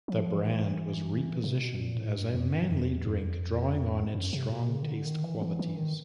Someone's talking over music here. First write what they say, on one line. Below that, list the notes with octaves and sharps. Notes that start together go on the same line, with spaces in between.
The brand was re-positioned as a "manly" drink, drawing on its strong taste qualities.
F3
E3
C3
B2
A#2
A2
G2
F2
F#2
G2
F2
E2
F2
F#2
C3
B2
C#3
D#3
D3
D#3
E3
E3
E3
D#3